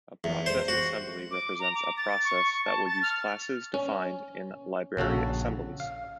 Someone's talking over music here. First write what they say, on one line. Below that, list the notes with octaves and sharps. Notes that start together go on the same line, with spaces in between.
A process assembly represents a process that will use classes defined in library assemblies.
E2
C5
F#4
D6
A#5
D6
A6
C#6
C#6
A5
A6
F6
C#4
A#1 C#3 F#4 A4
F5